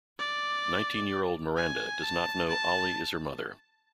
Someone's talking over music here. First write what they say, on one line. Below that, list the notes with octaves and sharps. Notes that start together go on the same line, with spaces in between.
Nineteen-year-old Miranda does not know Oly is her mother.
D5
G#5
A5
A5